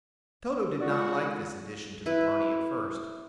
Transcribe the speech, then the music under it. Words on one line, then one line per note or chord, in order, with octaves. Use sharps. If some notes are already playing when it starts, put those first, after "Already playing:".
Toto did not like this addition to the party at first.
G#3 F4 F#4 D5 F#5
E4 B4